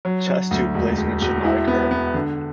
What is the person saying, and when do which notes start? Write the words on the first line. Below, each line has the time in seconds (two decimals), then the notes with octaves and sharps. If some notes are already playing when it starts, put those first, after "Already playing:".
Chest tube placement should not occur.
0.05 F#3
0.28 F#3
0.51 D2
0.74 E1
0.98 E1
1.22 E1
1.45 E4
1.68 B3
1.91 B3
2.14 D3